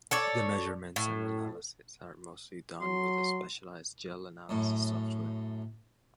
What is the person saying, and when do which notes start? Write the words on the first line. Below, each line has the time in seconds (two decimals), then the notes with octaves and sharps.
The measurement and analysis are mostly done with a specialized gel analysis software.
0.11 A4 C#5 D5
0.96 A2
2.81 F#3 C6
4.49 F#2 A2